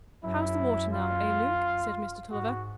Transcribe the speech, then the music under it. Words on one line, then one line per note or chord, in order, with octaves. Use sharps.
"How's the water now, eh, Luke?" said Mr. Tulliver.
F#2 E4
F4
G#2 F#4